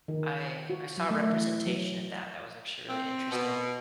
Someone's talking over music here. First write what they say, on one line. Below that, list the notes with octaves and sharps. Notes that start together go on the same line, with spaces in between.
I I saw a representation of that that was actually really interesting,
D#3
F#4
F#3
A3
E3
F#3
C4
B2